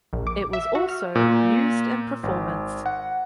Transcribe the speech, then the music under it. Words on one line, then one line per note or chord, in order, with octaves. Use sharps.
It was also used in performance.
A#1
D6
E5
F#4
F6
A#2
G#1
F#5